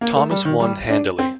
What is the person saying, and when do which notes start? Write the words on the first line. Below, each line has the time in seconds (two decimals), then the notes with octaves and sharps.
Thomas won handily.
0.01 A#3
0.16 A3
0.31 G3
0.45 D#3
0.60 G3
0.89 D4
1.19 C4